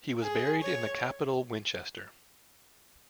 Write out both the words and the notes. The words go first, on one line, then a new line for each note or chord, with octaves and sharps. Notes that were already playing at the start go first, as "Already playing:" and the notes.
He was buried in the capital Winchester.
G#4
C#5